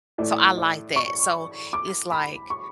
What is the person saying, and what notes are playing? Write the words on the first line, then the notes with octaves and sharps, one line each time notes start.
so I like that. So it's like
A2 E3 A3 D5
D5
C#6
D6
B5
C#6